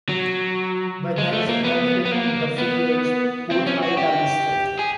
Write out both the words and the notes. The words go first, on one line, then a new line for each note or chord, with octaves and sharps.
Where there is a conflict in the figures both heights are listed.
F#3
G#3
A3
A#3
B3
B3
A#3
B3
C4
C#4
F#4
G4
G#4